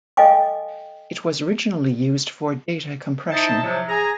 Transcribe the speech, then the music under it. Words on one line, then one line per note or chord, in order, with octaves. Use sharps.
It was originally used for data compression.
A4 D#5 F5 G5 G#5 D6
D#4 E4 C5 D#5 E5 A5
A2 C3 F3 F#3
G#4 G#5 A#5